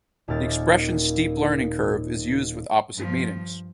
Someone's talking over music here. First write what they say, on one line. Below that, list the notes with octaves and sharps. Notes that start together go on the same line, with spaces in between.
The expression steep learning curve is used with opposite meanings.
D#1 D#2 A#2 G4 F6 A6
G2 F3